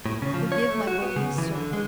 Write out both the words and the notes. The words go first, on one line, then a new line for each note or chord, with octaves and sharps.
Forgive my boldness, sir.
A2
C#3
F3
C#5
A3
F#4
B3
C#3
E3
D3
G#3